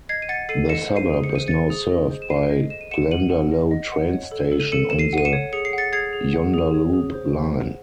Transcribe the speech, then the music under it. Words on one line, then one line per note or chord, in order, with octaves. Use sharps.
The suburb is now served by Glendalough train station on the Joondalup line.
D#5 G#6 C7
D#7
F#5 A6 C#7
A4 C7 D#7
D#5 C#7 E7
C5
C7 D#7
G#4
C#7
C5
D#7
G#4 A6 C#7
G#4
D#5
C5
E7
A4 C7 D#7
D#5
D#5 E7
D#7
F#5 C#7 E7
F#5 D#7 F#7
F#5
D#5
D#5
F#5
C#5
A4
A4
D#7
A4 C#7 E7
A4 E7
C7 D#7
F#5 D#7
C#7 E7
C#5
G#4 C#7
C7
F#5 A6 C#7
G#4 G#6 C7
G#4
F#5
G#4
C#5
G#4
C5
F#5
F#5